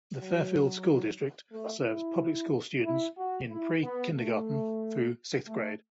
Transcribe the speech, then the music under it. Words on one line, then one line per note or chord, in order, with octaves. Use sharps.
The Fairfield School District serves public school students in pre-kindergarten through sixth grade.
F#3
A3
E4
E4
F#4
E4
B3
A3
A3